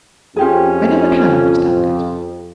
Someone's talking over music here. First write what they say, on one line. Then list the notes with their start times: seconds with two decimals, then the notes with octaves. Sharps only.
I never can understand it.
0.36 F2 C#4 F4 G4 G#4